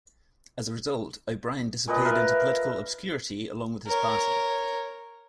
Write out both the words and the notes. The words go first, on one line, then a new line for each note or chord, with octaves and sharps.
As a result, O'Brien disappeared into political obscurity along with his party.
A#2 A4 B4 D#5
A#4 B4 E5 F5
A#4 C#5